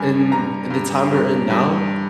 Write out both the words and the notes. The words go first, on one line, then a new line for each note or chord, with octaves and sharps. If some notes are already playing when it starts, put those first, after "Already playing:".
in in the time we're in now,
Already playing: G2 G#5
G2 A#5
G2
G2
G2